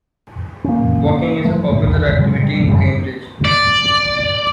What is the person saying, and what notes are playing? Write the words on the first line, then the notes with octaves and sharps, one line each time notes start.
Walking is a popular activity in Cambridge.
A#3 C#4
F3 F#3 A3
B1 E2
C#3 F#3 G#3
G3
F#2 C#3 G3 G#3
D5